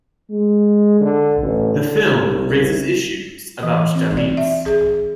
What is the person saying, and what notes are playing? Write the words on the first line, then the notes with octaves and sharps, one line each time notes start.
The film raises issues about Dalits.
G#3
D3
A1
D3
C2
C2
E3
C4
D5
E5
G#4